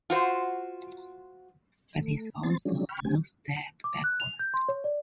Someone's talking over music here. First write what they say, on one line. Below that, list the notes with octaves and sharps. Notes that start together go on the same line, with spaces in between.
But it's also no step backward.
F4 F#4 C5
A3
C4 C6 A6
F3 F#3 G#3 C#4 D4
G5 B5 C#6 F6
C#3 C4 G4 G#5
D6
F#6
F7
G6
C6
C#5
D5